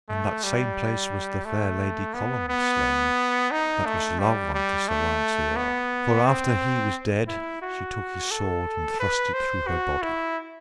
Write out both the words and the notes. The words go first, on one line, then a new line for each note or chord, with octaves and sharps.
And in that same place was the fair lady Colombe slain, that was love unto Sir Lanceor; for after he was dead she took his sword and thrust it through her body.
A3
G3
A3
B3
B3
D#4
A3
G3
G3
A3
B3
C4
E4
F#4
A4
B4
C5
F#4
E4